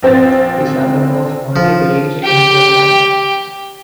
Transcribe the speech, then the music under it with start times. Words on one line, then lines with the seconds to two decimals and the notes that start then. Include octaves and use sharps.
This album was only released in Japan.
0.03 A#1 C4 C5 A6
1.56 F3
2.24 G4 G5